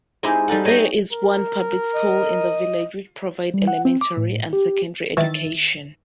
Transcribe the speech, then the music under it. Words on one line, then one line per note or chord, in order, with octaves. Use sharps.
There is one public school in the village which provide elementary and secondary education.
G#3 C4 D#4 E4 G4
G3 D#4 A4 F#5
C#5 D#5 G5 G#5 A#5
A#4
D#5
G3
F#5
C4
D6
A2
G4
D#3 E3 E5 A6